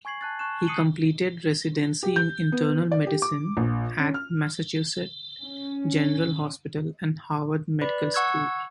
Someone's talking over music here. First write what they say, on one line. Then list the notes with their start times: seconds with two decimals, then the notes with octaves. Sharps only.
He completed residency in internal medicine at Massachusetts General Hospital and Harvard Medical School.
0.05 G#5 C#6 G#6 C7 F#7
0.21 A5 F#6 A6
0.39 A5 C#6 F#6 E7
0.67 D#6 C7 C#7 D#7 F#7 G7
2.03 G4
2.16 G6
2.52 B3
2.92 D5
3.07 G4
3.22 D6
3.57 A#1
3.99 C#4
4.14 F6
5.41 C#4
7.81 B4 D5 B5
8.14 F#5 C#6 E6 F#6 G#6